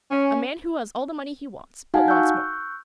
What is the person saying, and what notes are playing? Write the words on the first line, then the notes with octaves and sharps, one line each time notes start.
A man who has all the money he wants but wants more.
C#4
D#4 F#4 F5 F#5 G#5 A5
C#6 E6 F#6 G6